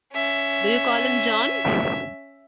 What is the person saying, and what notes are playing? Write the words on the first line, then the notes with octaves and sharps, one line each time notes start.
Do you call him 'John'?
C#4 E5